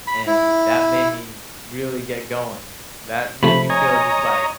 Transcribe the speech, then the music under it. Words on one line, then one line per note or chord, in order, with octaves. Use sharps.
and that made me really get going. That made me feel just like,
B5
E4
C3 F3 A3 B5
C#5 D#5 G#5 A#5